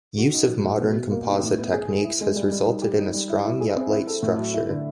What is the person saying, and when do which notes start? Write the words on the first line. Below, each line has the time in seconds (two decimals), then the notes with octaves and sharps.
Use of modern composite techniques has resulted in a strong yet light structure.
0.17 F#4
0.34 D#4
0.48 F#3
0.64 A2
0.79 B2
0.96 B2
1.11 A#3
1.27 D#4
1.43 A2
1.58 B3
1.73 G#4
1.88 G#4
2.04 E4
2.21 G#3
2.36 G3
2.51 G3
2.67 D#4
2.82 G4
2.98 D#4
3.14 G3
3.30 E4
3.45 E4
3.60 G#4
3.76 C4
3.91 E4
4.07 A4
4.23 A2
4.39 F#3
4.54 E4
4.69 D3